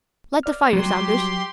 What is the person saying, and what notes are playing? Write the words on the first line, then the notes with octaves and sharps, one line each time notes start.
Light the fire, Saunders.
D5 F6
F#3 G3 G4 C6